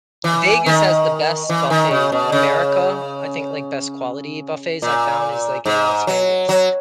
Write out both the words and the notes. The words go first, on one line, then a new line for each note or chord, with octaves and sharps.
Vegas has the best buffets in America, I think, like, best quality buffets I found is, like, in Las Vegas.
E3
D#3
E3
D#3
C#3
B2
C#3
A#2
G#2
F#3
F#3